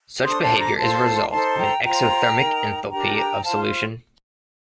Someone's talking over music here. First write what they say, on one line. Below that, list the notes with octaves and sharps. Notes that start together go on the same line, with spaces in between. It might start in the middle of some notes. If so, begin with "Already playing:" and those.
Such behavior is a result of an exothermic enthalpy of solution.
D4 A4 C5 C6 D#6
A5 C6
D#6
A#5 D6
F4 A4 C5 A5 C6
D#4 A4 C5 A5 C6
G5 A#5
F4 C5 G5 A#5
D#4 A#4
D4 G4 A#4 G5 A#5
G5 A#5
F4 C5 F5 A5